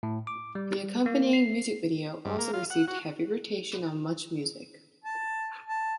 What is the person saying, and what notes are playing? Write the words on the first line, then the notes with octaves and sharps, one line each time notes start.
The accompanying music video also received heavy rotation on MuchMusic.
A2
D6
G3
A#3
C7
G2
A#3
F4
F#5
F#4
A5
A5